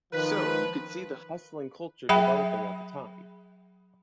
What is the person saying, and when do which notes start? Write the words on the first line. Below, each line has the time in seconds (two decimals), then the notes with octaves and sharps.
So you could see the hustling culture developing at the time.
0.13 D#3 F3 B4
2.09 F#3 G#4 E5 F#5 G5 B5